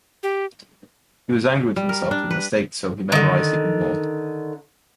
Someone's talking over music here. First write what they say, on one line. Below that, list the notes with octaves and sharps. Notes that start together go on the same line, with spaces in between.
He was angry with himself for the mistake so he memorized even more.
G4
G3
A#4
D4
B4
D3 D#3